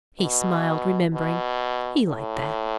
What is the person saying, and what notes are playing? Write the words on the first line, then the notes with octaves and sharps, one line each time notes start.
He smiled, remembering--he liked that.
B2
B2
A2